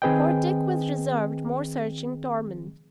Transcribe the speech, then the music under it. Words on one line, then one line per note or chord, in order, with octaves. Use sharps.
For Dick was reserved more searching torment.
D#3 C4 G#4 B4 D#5 G5